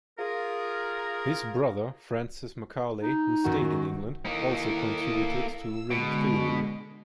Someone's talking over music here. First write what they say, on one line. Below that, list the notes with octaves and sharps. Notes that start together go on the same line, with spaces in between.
His brother Francis Macaulay, who stayed in England, also contributed to ring theory.
F4 G#4 A#4
D#4
F#2 D#3 F#4
A#3 D#4 E4 A4
E6
B2 D3 G#3